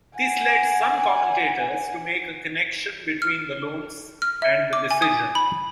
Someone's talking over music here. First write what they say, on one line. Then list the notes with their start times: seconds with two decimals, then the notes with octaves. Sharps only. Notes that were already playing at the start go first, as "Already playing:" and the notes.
This led some commentators to make a connection between the loans and the decision.
0.16 F#5 G#5
3.22 F6
4.22 F6
4.42 E5
4.73 D6
4.91 G#5
5.02 D#6
5.35 B5